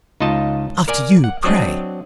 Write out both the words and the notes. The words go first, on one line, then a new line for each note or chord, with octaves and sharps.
"After you, pray!"
C#2 D#4 F4 D#5 A5
A#4 D5 G#5
F#5
F#3 C4 D4 D#5